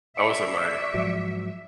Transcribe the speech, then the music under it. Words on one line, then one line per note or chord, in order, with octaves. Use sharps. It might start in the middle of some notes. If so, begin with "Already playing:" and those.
I was at my
D5 E5 C#6 D6
G#2 F3 F#3